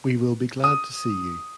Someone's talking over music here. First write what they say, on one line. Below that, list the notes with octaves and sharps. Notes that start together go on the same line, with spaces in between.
We will be glad to see you!
D#6